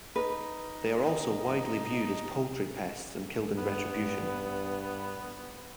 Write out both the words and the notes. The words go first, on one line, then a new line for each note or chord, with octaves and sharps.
They are also widely viewed as poultry pests and killed in retribution.
D#4 B4
G2 B3